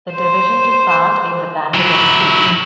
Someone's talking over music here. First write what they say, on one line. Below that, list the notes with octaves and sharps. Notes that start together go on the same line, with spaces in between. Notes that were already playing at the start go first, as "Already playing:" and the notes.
The division took part in the Battle of Crete.
C5
F#3 E4